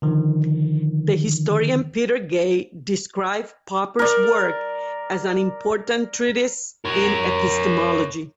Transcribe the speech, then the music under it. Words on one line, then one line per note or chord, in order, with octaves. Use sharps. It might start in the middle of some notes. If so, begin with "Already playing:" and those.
The historian Peter Gay described Popper's work as "an important treatise in epistemology".
D3 D#3 F3
A#4 D5
A#4 C#5